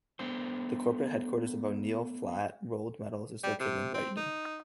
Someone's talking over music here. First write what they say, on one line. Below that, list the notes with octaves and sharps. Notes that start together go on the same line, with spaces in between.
The corporate headquarters of O'Neal Flat Rolled Metals is located in Brighton.
A3 B3 D4 C5
G3
C3
C4
D#4